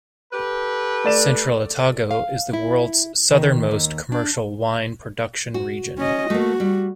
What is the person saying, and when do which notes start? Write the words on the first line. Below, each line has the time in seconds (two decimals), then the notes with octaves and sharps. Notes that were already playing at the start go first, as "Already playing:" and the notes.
Central Otago is the world's southernmost commercial wine production region.
0.33 G4 A4 B4
1.04 A3 D5 E7
2.11 F5
2.53 E4
3.31 D#3
3.71 D#2
4.12 D4
5.54 F#4
5.98 C#4 D#5
6.30 A3 A#3 F#4
6.60 G3